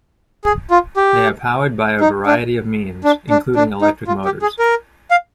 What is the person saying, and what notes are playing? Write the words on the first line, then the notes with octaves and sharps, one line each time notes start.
They are powered by a variety of means, including electric motors.
G#4
F4
G4
D#4
D4
D4
D4
D4
D#4
F4
G4
G#4
A#4
F5